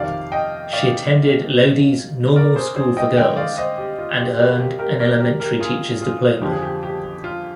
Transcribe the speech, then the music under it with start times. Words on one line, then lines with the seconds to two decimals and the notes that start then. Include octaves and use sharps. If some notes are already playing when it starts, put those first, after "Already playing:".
She attended Lodi's Normal School for Girls and earned an elementary teacher's diploma.
Already playing: F2 C3 D#3 D5 F5
0.32 D#5 G5
0.73 D5 F5
2.36 A#4 D5
2.55 G#4 C5
2.76 G#4 C5
2.97 D#5 G5
3.16 D3 G#3 C4 D#5 G5
3.37 D5 F5
3.57 C5 D#5
3.78 G4
3.99 F4
4.19 G4
4.38 G4 A#4
4.60 G4
4.79 G4 A#4
5.00 A#4 D5
5.20 G4 A#4
5.40 G4 A#4
5.60 F4 G#4
6.01 F4 G#4
6.42 F2 D3 F3 C4 G4
6.52 G#4
6.63 G4
6.83 G4
7.24 F4